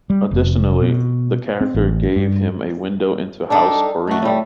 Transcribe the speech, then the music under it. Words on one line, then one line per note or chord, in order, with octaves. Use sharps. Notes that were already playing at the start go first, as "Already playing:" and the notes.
Additionally, the character gave him a window into House Corrino.
G3
F1
B2
C4
A1
G2
G3 D4 D#4 A4
A3 D#4 F#4
A2 G3